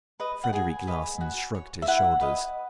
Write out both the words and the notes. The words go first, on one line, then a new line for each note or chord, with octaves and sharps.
Frederic Larsan shrugged his shoulders.
B4 D#5
F#5
G#4 G#5
B4 D#5
F#4
C#5
E5
E4 F#5
B4 D#5